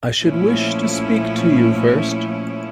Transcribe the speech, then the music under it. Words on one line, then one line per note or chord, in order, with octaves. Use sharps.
I should wish to speak to you first.
A#2 F3 A3 C#4 E4